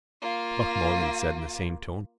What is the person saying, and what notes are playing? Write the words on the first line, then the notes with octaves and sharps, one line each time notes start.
Buck Mulligan said in the same tone.
A#3 F4